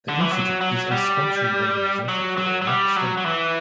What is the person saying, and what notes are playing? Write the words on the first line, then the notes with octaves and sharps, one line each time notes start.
The institute is a sponsoring organization for the Iraq Study Group.
D3
E3
F#3
F#3
G3
F#3
F#3
F#3
G3
F#3
F#3
E3